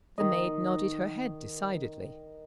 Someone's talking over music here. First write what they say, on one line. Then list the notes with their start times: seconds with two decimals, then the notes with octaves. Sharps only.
The maid nodded her head decidedly.
0.18 D#3 D#5